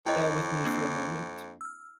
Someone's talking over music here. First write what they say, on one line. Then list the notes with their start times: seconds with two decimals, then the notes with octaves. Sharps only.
Bear with me for a moment.
0.06 F2 E4 C#5 D#5 G5
0.65 A#3 C4 D4
1.61 E6 F6